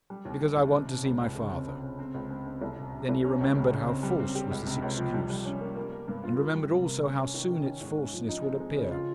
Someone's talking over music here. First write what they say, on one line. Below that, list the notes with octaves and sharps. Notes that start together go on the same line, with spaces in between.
'Because I want to see my father.' Then he remembered how false was this excuse; and remembered also how soon its falseness would appear.
G3
D#2
D#2
D#2
C3
C3
C#2
C#2
C#3
C4
C4
C#3
C4
C#2
C4
C4
C2
C3
C3
C2
C#4
C#2
C#3
C#3
C4
G3
C4
G4
C#2
C3
C#2
F3
G3
G3
C#4
A#3
A#3
A#3
G2
F4
A#3
G3
C3
A#3
C#4
C#4
D#3
D#3
C#4
G#2
C#4
F3
D#4
C4
G#3
C#3
F4